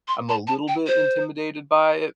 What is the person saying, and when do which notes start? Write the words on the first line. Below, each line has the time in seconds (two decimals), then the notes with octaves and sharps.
I'm a little bit intimidated by it,
0.08 C6
0.29 A5
0.47 A5
0.68 G5
0.87 C5